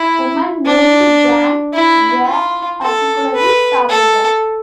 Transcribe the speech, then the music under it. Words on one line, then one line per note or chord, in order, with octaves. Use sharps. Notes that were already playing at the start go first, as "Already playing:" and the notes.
Women named Jan were particularly targeted.
Already playing: E4
D4
E4
F4
A4
B4
A4